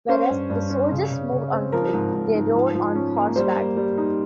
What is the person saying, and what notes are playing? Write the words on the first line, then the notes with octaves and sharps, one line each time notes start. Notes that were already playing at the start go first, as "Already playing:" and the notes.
Whereas the soldiers moved on foot, they rode on horseback.
C#4 C5
G2
G2
C#4
C#3
C#3
C#3
C4
F3 A#4
G#2
G#2
G#2
F3
F3
C#4
A#3
G3 C5
A#3
G3
D#4